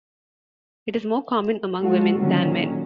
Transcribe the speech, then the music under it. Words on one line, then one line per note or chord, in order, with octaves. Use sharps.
It is more common among women than men.
G#3 F4 F#4 A4
A#2 D3 D#3 F#3 C#4